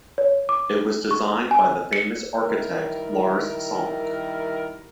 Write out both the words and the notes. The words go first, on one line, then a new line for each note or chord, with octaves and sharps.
It was designed by the famous architect Lars Sonck.
C#5
D6
C#6
G#5
C#7
D#3 G3 E4 A#4